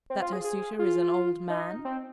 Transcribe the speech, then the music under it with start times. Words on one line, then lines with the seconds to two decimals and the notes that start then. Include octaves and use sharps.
That her suitor is an old man?
0.10 C4
0.21 F4
0.33 G#4
0.44 G#4
0.79 F4
1.50 D#4
1.85 C4